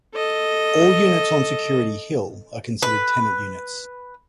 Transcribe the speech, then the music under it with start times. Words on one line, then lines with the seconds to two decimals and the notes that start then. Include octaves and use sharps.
All units on Security Hill are considered tenant units.
0.14 A4 D#5
2.82 B4